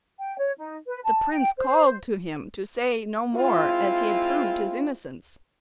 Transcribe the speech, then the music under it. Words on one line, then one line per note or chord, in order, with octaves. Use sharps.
The prince called to him to say no more as he had proved his innocence.
G5
C#5
D#4
B4
A5
G5
C5
G#3 C4 E4 F4